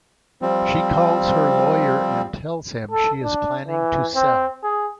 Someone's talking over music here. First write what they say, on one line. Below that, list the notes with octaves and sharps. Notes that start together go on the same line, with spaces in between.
She calls her lawyer and tells him she is planning to sell.
F3 G3 C4
A4
D4
E3
C4
G#4